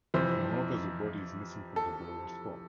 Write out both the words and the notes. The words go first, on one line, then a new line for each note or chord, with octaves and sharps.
Moreover, the body is missing from the burial spot.
F2 C3 E3 C5
A4